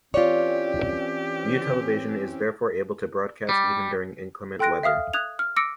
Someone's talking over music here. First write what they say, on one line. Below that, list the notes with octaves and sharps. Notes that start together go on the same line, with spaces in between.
U television is therefore able to broadcast even during inclement weather.
E3 C4 C#4 F4 G4 C#5 D5
G3
A4 G5 C6 F#6 A#6 D7
E5 F5 D#6 F6
D#6 F#6 G#6 F7
F6
D6 E6 A#6 C#7 D7